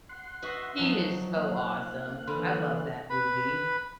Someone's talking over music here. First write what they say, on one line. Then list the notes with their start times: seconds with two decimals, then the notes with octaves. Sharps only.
He is so awesome. I love that movie.
0.09 F#5 C6
0.42 F#4 B4 D#5 E5 C#6 C7
0.79 F3 F#3 D#4
1.36 A#3 F5 F#5 F#6
2.27 D3 E3 B5 C6
3.10 B4 B5